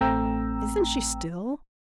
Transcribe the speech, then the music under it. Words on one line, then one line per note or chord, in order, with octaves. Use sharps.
"Isn't she still?"
A1 A3 C4 G5 A#5 E6